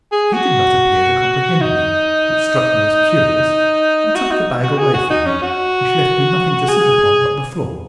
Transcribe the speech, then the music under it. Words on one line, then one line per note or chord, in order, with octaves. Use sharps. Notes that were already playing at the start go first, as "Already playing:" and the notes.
He did not appear to comprehend me, which struck me as curious, and took the bag away from me, which left me nothing to sit upon but the floor.
G#4
F#4
D#4
F#4
D#4
F#4
G#4
F#4
D#4
C#4
F#4
G#4